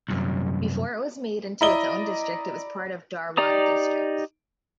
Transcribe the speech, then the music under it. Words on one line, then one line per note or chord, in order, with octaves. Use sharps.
Before it was made into its own district, it was part of Dharwad District.
C2 F#2
E4 D5 D#5 A#5 B5 G7
D#4 G4 D5 A#5 D#6